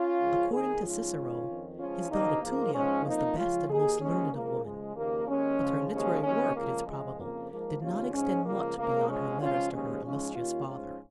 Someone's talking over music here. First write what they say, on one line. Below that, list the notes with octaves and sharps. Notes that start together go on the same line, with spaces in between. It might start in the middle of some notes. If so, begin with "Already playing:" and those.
According to Cicero, his daughter Tulia was "the best and most learned of women"; but her literary work, it is probable, did not extend much beyond her letters to her illustrious father.
Already playing: C#4 F4
C#2 C#3 F3
D#2 D#3 D#4 G#4
G#2 F3 C#4 F4
G#2 D#3
F2 D#3
C#2 C#3 F3 C#4 F4
D#2 C#3 F3 A#3 D#4
G#2 F3 A#3
G#2 F3 G#3 C#4
F2 F3 A#3 D#4
C#2 C#3 F3 C#4 F4
D#2 D#3 D#4 G#4
D#2 C#3 F3 G#3 C#4
C#2 C#3 F3 A#3
C#2 C#3 F3 G#3
D#2 C#3 F3 A#3
D#2 D#3 G#3 C#4
C#2 C#3 F3
D#2 C#3 F3 G#3 C#4
D#2 D#3 G#3 C#4
C#2 C#3 F3 A#3
C#2 C#3 F3 G#3
F2 C#3 F3 A#3
G#2 F3 A#3
D#2 C#3 F3 C#4 F4
G#2 F3 G#3 C#4
C#2 C#3 F3 A#3
C#2 C#3 F3 A#3
C#2 C#3 F3 G#3 C#4
C#2 C#3 F3 C#4 F4
D#2 C#3 F3 G#3 C#4
G#2 F3 G#3 C#4
D#2 D#3 C#4 F4
G#2 F3 C#4 F4